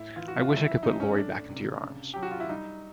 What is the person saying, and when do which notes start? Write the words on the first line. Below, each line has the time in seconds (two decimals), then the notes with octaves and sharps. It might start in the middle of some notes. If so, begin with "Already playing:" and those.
I wish I could put Lori back into your arms.
Already playing: A2 E4
0.16 E3 F4
0.28 F#4
0.39 F4
0.49 F#3 E4
0.66 E4
0.83 A2 D#4
1.00 C#4
1.15 A3 D4
1.50 C3
1.83 C#3
2.14 F#3 G4
2.23 F#4
2.31 F4
2.40 E4
2.49 G3 D#4